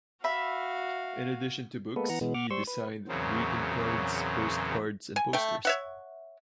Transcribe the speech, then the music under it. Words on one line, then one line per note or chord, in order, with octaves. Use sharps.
In addition to books, he designed greeting cards, post cards, and posters.
F#4 E5 F5 B5
G#3 A#3 B3 A4 B4
E3 B3 F#5 A#5
B2 E3 G#3 B3
F#5 D6 F6
G3 C5 C6 C#6 E6
B4
E2 A#2 C#3 F#3 C4
G#5
A3 G5
C#5 E5 F#5